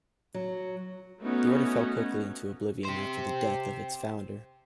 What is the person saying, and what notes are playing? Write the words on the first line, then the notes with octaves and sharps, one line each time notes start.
The order fell quickly into oblivion after the death of its founder.
F#3
A3 B3 C#4 D#4 F#4
G4 C5